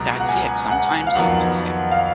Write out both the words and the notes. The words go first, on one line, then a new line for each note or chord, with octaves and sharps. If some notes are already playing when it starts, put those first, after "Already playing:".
That's it, sometimes you can say
Already playing: C#2 B2 F#3 A#5
F#5
G#5
F#5
F5
F2 D#3 F#3 B3 F#5
F5